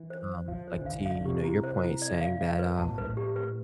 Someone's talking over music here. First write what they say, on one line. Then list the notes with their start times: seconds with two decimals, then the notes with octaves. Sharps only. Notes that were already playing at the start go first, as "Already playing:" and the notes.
um, like to, you know, your point saying that, uh,
Already playing: E3
0.10 C5
0.29 C5
0.48 F3 F5
0.68 C5
0.73 E3
0.81 D3
0.86 E3 F5
0.99 D3
1.06 F5
1.15 D3
1.25 C3 G4
1.44 E4
1.63 C5
1.83 E4
2.02 D5
2.21 F5
2.41 F5
2.59 B4
2.78 B2 A5
2.88 A2
2.98 G2 B4
3.06 A2
3.17 G4
3.36 B4